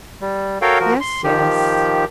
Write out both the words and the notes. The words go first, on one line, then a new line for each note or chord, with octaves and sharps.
"Yes, yes."
G3
F#4 A4 A#4 C#5 F5 G5
F3 F#4 A#4
C6
D#3 F3 G4